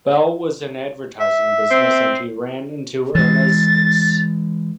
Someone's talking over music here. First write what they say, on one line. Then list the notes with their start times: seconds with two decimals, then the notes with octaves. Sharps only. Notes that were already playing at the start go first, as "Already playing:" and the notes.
Bell was in advertising business and he ran into Irna's niece.
1.20 E5
1.71 C4
3.15 E3 G#3 A6